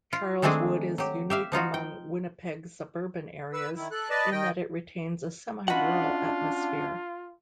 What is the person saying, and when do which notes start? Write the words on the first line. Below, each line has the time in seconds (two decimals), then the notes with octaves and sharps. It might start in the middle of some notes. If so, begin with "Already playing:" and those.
Charleswood is unique among Winnipeg's suburban areas in that it retains a semi-rural atmosphere.
0.13 F4
0.42 D#3 G#3 A3 C4 D4 G#4
0.98 F#3 G4
1.30 G4 E5 F5
1.52 F3 D#4 F4 F#4
1.74 G5
3.53 B4 E6
3.76 D#3 E4
3.91 A4 F#6
4.10 B4 D5 D#5 A5
4.32 D#3 D#5 G5
5.68 C#4 D4 F4 F#4 D#5 F#5 B5